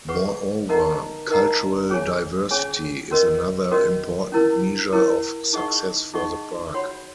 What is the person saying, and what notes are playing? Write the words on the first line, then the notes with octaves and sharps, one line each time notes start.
Moreover, cultural diversity is another important measure of success for the park.
G#4 B4 F#5 C#6
D#4 A#4 D#5 F#5 A#5
D#4 A#4 D#5 F#5 A#5
C#4 G#4 C#5 G#5
C#4 G#4 C#5 G#5
C#4 F#4 A#4 D#5
C#4 F#4 A#4 D#5
C#4 E4 A#4
C#4 E4 A#4
D#4 G#4 D#5 F#5 C#6
D#4 G#4 D#5 F#5 C#6
F#4 C#5 F#5 B5